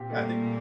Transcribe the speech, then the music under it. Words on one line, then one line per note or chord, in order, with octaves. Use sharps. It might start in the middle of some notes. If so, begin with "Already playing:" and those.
yeah, I think
Already playing: A#2 C4 G4
G3 A3 A#3
A#2